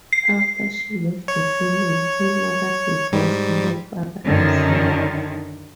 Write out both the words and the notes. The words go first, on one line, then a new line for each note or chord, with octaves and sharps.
After she left the family her mother divorced her father as well.
C7
C#5
G#2 G3
F#2 D3 D#3